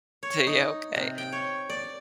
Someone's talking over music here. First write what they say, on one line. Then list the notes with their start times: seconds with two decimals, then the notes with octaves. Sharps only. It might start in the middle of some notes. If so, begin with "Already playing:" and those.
Tuh yeah, okay.
0.23 C#5
0.47 D#4
0.96 C3
1.18 G5
1.32 C#5
1.70 D5